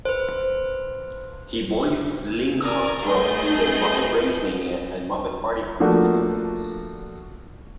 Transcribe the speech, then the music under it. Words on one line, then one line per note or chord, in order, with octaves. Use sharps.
He voiced Link Hogthrob in the "Muppet RaceMania" and "Muppet Party Cruise" video games.
B4 C5
A#4 D5 G#5
A3 B3 G#4 D#5 G6
F3 A3 A#3 D4 F#4